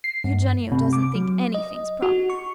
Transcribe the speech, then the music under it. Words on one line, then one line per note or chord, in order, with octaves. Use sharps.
"Eugenio doesn't think anything's proper."
C7
G2
C3
D6
F#3
D#5
F#4
C#6